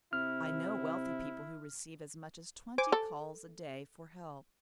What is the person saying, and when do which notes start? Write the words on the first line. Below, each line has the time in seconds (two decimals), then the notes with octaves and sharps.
I know wealthy people who receive as much as twenty calls a day for help.
0.13 C3 E4 F6
2.78 C5 G#5 D6
2.92 A4